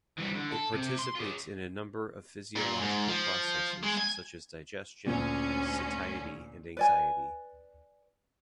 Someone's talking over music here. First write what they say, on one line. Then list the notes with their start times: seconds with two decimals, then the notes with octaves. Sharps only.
It participates in a number of physiological processes such as digestion, satiety and anxiety.
0.19 E3 G3
0.36 D3
0.51 A4
0.74 C3
0.99 C6
1.15 F4 G#4
2.56 A#2
2.81 G#2
3.08 F3
3.83 G#3
3.98 G#5
5.06 D2 A#2 C#4
6.77 B4 D5 G#5